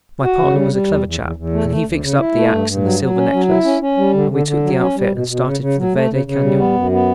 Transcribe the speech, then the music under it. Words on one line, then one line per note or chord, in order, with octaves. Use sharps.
My partner was a clever chap, and he fixed up the axe and the silver necklace, and we took the outfit and started for the Verde Canyon.
F#4
C#3
G3
G3
E2
E2
E2
E2
A3
A3
D2
C#3
E4
A3
G2
G2
F#3
F#3
C#4
F#3
E4
C#4
C#4
G3
D3
D3
D3
F#3
C#4
G3
B2
B2
C#3
C#3
F#3
A3
C#3
C#3
G3
B3
F#2
B3